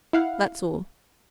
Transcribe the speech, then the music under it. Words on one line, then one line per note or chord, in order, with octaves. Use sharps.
That's all.'
E4 F5 F#5